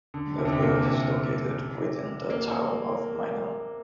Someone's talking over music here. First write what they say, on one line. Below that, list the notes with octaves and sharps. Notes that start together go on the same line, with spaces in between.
The village is located within the Town of Minong.
D3
C3
D3
C3
A#2
C3
A#3